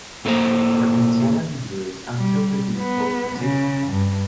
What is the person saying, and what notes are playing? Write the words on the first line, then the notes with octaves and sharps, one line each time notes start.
For antenna viewers, until the digital transition.
A2 A3 A#3 E4 C5 A#5
G3
B3
C#3
G2